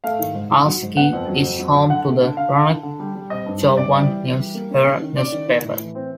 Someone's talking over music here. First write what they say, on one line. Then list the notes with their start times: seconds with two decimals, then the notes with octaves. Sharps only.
Ahoskie is home to the "Roanoke-Chowan News-Herald" newspaper.
0.04 A3 F5
0.19 D#3
0.34 G#2
0.51 D#3
0.66 F#3
0.82 G#2
0.97 B3 F#5
1.13 F2
1.28 F#3
1.44 F2
1.59 F#3
1.75 D3
1.90 D3 F#5
2.06 A3
2.22 D3
2.37 D3 F5
2.52 D3
2.68 D3
2.83 D3
3.00 G3
3.15 G3
3.30 C4 D#5
3.46 G2
3.62 G2
3.77 C3 D5
3.92 G3
4.08 E3
4.24 E3
4.40 G3
4.55 A#3
4.71 C#4
4.86 C#4
5.02 D#3
5.17 C#4 D5
5.32 D#3
5.48 D#3
5.64 A2
5.79 E3
5.95 C4